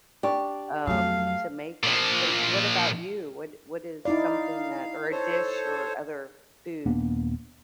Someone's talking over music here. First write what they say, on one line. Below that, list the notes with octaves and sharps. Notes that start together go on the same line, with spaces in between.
um, to make 'em, so what about you? What what is something that or a dish or other food?
D4 G4 D5 C#6
F2 F#3 A3 F5
A#2 F3
D#4 E4 D5 F5
A4 C5 C#5
D#1 A#3 B3 D4